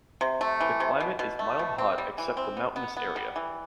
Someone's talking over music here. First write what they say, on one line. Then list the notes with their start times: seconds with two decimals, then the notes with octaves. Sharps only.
The climate is mild-hot except the mountainous area.
0.21 C3
0.41 A3
0.61 E3
0.80 C3
1.00 B2
1.19 B2
1.39 A3
1.59 B2
1.78 C4
1.98 G3
2.18 E3
2.37 C4
2.57 B3
2.76 B3
2.97 B3
3.16 G3
3.36 E3